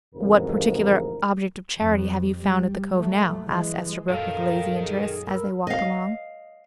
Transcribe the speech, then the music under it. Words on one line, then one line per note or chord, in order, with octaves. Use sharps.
"What particular object of charity have you found at the Cove now?" asked Esterbrook, with lazy interest, as they walked along.
A1 F2 G#2 C#3 A#4
F2
G3
F#3 A3
E3 G#3
F#2 A#2 D#3 A4 A#4 F5
G#4
A#4 B5 E6 F6
D#5 F5